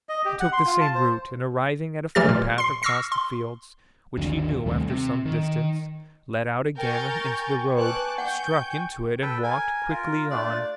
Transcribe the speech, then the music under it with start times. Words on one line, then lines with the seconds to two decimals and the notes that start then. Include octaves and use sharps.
He took the same route; and arriving at a footpath across the fields: which he knew, after some distance, led out again into the road; struck into it, and walked quickly on.
0.09 D#5
0.25 G4
0.40 F#5
0.53 C6
0.66 F4
0.81 A5
0.95 C5
2.15 E3 F#3 A3 G4 F6 A6
2.29 A#2
2.58 C6 C7
2.83 C#6 E6 F6 A#6 C7
3.12 C6
4.17 G#1 D#2 D3 F#3
4.66 D#2 C3 G3 A3
4.89 C3
5.25 D#3
6.78 A#4 G5 G#5 C#6 G6 A6
7.78 B4 A5 D6 F#6
8.18 F#5 G6
9.22 A4 B4 G5
9.44 A#4 G#5
9.90 F4 A#4
10.31 A3 D4 F4 D5